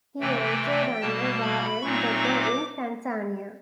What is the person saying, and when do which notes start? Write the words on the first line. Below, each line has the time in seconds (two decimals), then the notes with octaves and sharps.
He also ran a bar and brothel in Tanzania.
0.20 C3 E3 A3 G5
1.01 B2 G3 A#3 A5
1.42 B5
1.82 A#2 F#3 A3 C4 D#4 C#6
2.23 D6